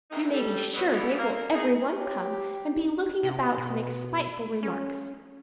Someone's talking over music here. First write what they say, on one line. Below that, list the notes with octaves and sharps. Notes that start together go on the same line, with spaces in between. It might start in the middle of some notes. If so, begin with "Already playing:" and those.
You may be sure they will every one come, and be looking about to make spiteful remarks.
G#2 C3 E3 D#4
G3 A4
B2 F#3
A2 E3 A3 B3 G4 G#4
A#3
D#4 G#4
G4 C#5
D#4
C3
B2
C#4